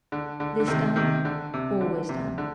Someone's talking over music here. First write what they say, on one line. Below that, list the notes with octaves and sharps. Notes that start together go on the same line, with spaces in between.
This done, all was done.
D3
D3
D3
C3 D#3
C3 D#3
D3
C3
D3
C3
D3